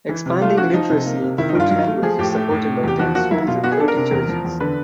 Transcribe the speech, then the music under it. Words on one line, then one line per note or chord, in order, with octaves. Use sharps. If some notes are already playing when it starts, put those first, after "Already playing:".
Expanding Literacy in Fut language is supported by ten schools and thirty churches.
E3
C3
A3 F4
C#4 F#4
F3 D#4
C3
A#3
C3
D#3 E4
D#4
G2 F4
F#3
A3
F3 G#4
A2 G4
A3
A2
C3
E2 G4
F3 F#4
A#3 F#4
F#3 E4
B2 F4
B3 F#4
G#4
D4 A4
A#4
C3
E2
F3
E2
D3 B4